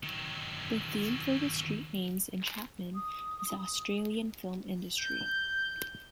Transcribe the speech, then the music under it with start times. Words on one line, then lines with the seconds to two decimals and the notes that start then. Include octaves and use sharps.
The theme for the street names in Chapman is the Australian film industry.
0.03 D#3 F#3
2.95 D#6
4.98 G6